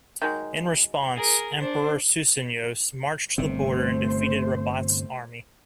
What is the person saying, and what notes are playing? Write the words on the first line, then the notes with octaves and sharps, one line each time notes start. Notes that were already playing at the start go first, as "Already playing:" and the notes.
In response, Emperor Susenyos marched to the border and defeated Rabat's army.
D#3 F#3 G#3
G#4 A#4
D4 C5
G1 C3 A3 C4 C5